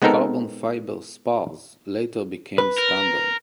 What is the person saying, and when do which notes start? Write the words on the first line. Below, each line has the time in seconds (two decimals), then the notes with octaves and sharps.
Carbon fiber spars later became standard.
0.02 G#3 B3 C4 D#4 A4 A#4
2.58 B4
2.78 A#4